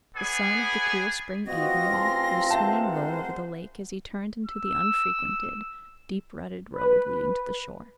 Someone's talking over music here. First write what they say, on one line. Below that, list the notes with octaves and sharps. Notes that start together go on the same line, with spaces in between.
The sun of the cool spring evening was swinging low over the lake as he turned into the unfrequented, deep-rutted road leading to the shore.
B3 G#4 D5 G#5
A1 C4 F4 F#4 D#5 A#6
G#4 A5 C6
G#3 A#4 C5 E5 F#5 A5
C5
E6
B4